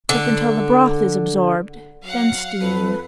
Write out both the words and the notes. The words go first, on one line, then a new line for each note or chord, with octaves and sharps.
Cook until the broth is absorbed, then steam.
D3
F#3 F5 F#5
F2 A4 B4